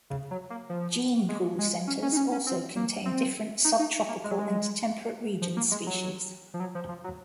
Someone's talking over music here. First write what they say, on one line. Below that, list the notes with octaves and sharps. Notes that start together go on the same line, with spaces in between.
Gene pool centres also contain different sub tropical and temperate region species.
C#3
F#3
A#3
F3
G#3
G#3
C#4
C#4
D#4
C#4
C#4
C4
A#3
C4
D#4
D#4
A#3
G#3
F#3
G#3
F3
A#3
G#3
F#3
F3
F#3
F3
F3
F#3